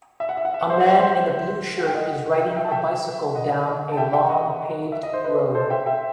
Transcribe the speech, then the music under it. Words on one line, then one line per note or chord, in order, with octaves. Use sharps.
A man in a blue shirt is riding a bicycle down a long paved road.
E5
F#5
E5
F#5
E5
F#5
C5 E5
C5 E5
C5 E5
F#5
G5
D#5 F#5
E5 G5
E5 G5
A5
E5 G5
D#5 F#5
A5
E5 G5
E5 G5
D#5 F#5
E5
D#5
C5
B4 D#5
A4 C5
E5 G5
E5 G5